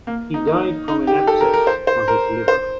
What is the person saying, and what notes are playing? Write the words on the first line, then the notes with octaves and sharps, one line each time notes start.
He died from an abscess on his liver.
A#3
D#4
D#4
D#4
G4
A4
A#4
A#4
C5
C5
A#4
C5